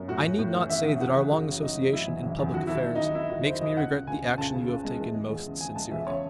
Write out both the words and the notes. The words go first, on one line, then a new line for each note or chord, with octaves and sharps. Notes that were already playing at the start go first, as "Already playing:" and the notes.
I need not say that our long association in public affairs makes me regret the action you have taken most sincerely.
Already playing: F#2
A2 F#4
A2
A2
E3
A1 E5
A1 E5
E3 F#5
A1 G#4
F#1 F#4
F#3
F#3 D#4
C#3
F#3 E4
E2
F#1
E2
D#2 F#4
D#2 E4
F#4
D#2
D#2 D#4
D#3 E4
D#2 F#4
D#3 C5
D#2 D#5
C#2 F#5
C#2
C#2 G#5
C#3
C#2 A5
C#3
C#2
G#3
E3
G#3
E2
C#3
C#3 G#5
G#3 A5
E2 E5
C#3 C#5